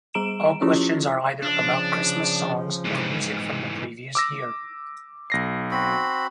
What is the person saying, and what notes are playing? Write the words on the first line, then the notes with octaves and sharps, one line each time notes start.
All questions are either about Christmas songs, or music from the previous year.
G3 G#4 A#5 D7 E7
F3 C#4 E4 F4 G4 G#4
C#3 F3 D4
G#2 E3
D6 E6 A#6
B1 A#6 C7
C4 F#4 B5